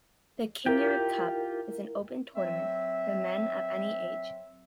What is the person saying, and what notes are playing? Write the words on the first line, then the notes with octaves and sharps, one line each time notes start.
The Kinnaird Cup is an open tournament for men of any age.
E4 F4 G4 A#4 G5
F#3 C4 E5